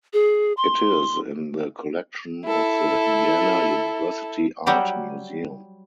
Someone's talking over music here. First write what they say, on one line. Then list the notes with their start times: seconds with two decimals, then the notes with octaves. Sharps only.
It is in the collection of the Indiana University Art Museum.
0.13 G#4
0.57 C6
2.45 E4 A4
4.67 F#3 G3 F#4 G4